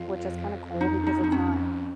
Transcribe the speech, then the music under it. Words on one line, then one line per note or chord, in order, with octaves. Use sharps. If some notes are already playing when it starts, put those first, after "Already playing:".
which is kinda cool because it's not
Already playing: F2 F4
D#4
D#4
D#4
C#4